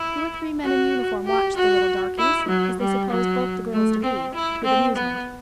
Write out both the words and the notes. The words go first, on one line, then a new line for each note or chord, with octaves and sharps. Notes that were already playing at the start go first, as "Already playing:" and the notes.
Two or three men in uniform watched the little "darkies," as they supposed both the girls to be, with amusement.
Already playing: E4
F#4
G4
F#4
E4
F#3
G3
F#3
A3
C4
E4
C4
B3